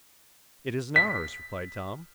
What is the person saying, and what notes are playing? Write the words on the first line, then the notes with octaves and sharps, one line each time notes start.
"It isn't ours," replied Tom.
B6